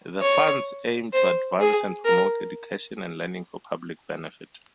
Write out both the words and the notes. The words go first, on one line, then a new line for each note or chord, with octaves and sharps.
The Funds aim to advance and promote education and learning for public benefit.
C#5
C5
G#4
A#4